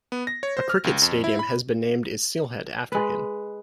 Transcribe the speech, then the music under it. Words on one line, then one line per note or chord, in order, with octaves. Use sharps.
A cricket stadium has been named is Sylhet after him.
B3
A#6
C#5
C5
F6
C#2
F2
E4
B5
G#3 B4